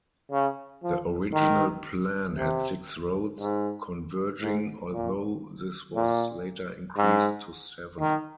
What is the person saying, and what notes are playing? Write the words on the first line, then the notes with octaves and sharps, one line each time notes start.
The original plan had six roads converging, although this was later increased to seven.
C#3
F3
D#3
C3
G#2
G#2
A#2
A#2
G#2
D#3